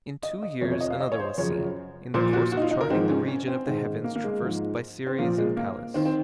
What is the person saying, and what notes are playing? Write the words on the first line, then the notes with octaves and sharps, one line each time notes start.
In two years another was seen, in the course of charting the region of the heavens traversed by Ceres and Pallas.
D#5
D#5
F2 C3 F3 C#5
C#5
D#5
F5
D#5
C#5
C5
F#2 C#3 F3 C#5
A#2 F3 C5
F#4
F#4
D#4
F4
D#4
A#4
G#2 F3 C4
C#4
C#4
C4
G#2 D#3
A#3
A#3
G#3
G#2 F3
C4
A#2 F3 A#3
G#3
A#3
D#3 C4
C4